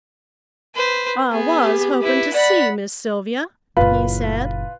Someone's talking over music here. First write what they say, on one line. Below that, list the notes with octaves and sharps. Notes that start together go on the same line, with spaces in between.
"I was hoping to see Miss Sylvia," he said.
B4 C5
B3 G#4
G4
E4 B4
D5 F#5 B5
F#1 A#2 F4 B4